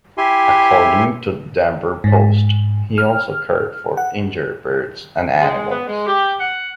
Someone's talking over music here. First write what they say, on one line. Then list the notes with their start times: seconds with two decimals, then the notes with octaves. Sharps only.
According to the "Denver Post", he also cared for injured birds and animals.
0.18 E4 G4 E5 G#5 C6
2.04 G#2
2.98 F6
3.97 F#5
5.41 G#3
5.71 B3
5.87 G#3
6.07 G4
6.40 F#5